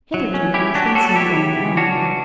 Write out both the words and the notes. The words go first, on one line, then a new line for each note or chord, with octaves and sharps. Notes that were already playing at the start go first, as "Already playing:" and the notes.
Hitherto he has been seen going alone.
F#3
C#4
C#4 E4 G4
F#3 D4 F#4
G4
F#3 F#4 A4
A4
B3 E4 G4
C#3
C#3
C#4 D4 F#4
E3